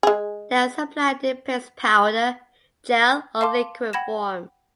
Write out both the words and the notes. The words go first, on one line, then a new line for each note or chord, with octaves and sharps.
They are supplied in paste, powder, gel or liquid form.
G#3 G#4
F5 A5 C6 D6
F#5 G5 B5 G#6 A#6 E7